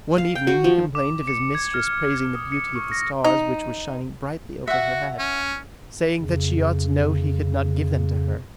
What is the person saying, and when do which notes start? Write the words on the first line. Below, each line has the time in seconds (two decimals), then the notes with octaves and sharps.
One evening he complained of his mistress praising the beauty of the stars which were shining brightly over her head, saying that she ought to know he could not give them to her.
0.18 F5
0.35 G5
0.47 F#4
0.64 F3
0.95 D6
1.27 C#7
1.55 G#6
1.74 F6
2.18 G#6
2.35 D#6
2.52 C#7
2.76 C#6
2.92 A#6
3.24 D#4
4.67 F#4 E5 F#5
5.19 C#4
6.18 F2 C#3